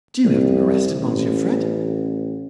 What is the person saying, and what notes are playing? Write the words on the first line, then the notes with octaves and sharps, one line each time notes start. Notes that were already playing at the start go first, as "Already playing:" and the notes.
"Did you have them arrested, Monsieur Fred?"
C2
A1